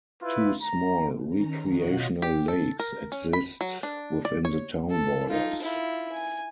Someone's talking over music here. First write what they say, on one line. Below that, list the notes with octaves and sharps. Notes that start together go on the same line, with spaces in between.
Two small recreational lakes exist within the town borders.
E4 F4 B4
A#5
D#3 C#4 A#5
B2 F4 F#4 C#5 D#5 F#6
G4
A4
A#4
C#4
B5
F#3
D4
D5
C#5
A4
D#4 F4
E4 F4
G#5